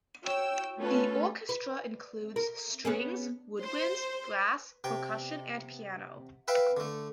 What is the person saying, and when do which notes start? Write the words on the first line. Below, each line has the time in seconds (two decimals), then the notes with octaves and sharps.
The orchestra includes strings, woodwinds, brass, percussion and piano.
0.24 F#4 C#5 G5 E6
0.79 A3 B3 C#4 F4 A4 B4
1.49 B4
2.36 A#4
2.85 B3 C#4 G#4
3.62 C5
4.84 C3 G5
6.48 B4 E5 F5 G5
6.77 D3 A3